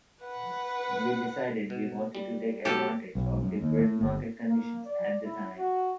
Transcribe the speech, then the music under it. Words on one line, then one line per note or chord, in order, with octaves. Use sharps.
We decided we wanted to take advantage of depressed market conditions at the time.
B4 F#5
B2
G3
F#2 B2 G4 A4
B1
F#2
D#2
A2
G1
A#3
D5
E4
F#4